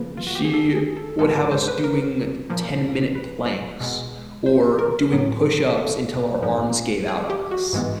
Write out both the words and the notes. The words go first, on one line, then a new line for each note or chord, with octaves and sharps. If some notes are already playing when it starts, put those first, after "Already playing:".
She would have us doing ten-minute planks or doing push-ups until our arms gave out on us,
Already playing: C#3 F3 A#3 B4
F4
F#4
G4
G#4
A4
G#4
A4
G#2 F3 G#3 B3 A4
A#4
C5
B4
A#4
A#2 F3 A#3
B4
B2 G#3 B3
C5
A#4
A2 F#3 B3
A4
G#2 F3 G#3
G#4
G4
F#4
G#2 E3 G#3 B3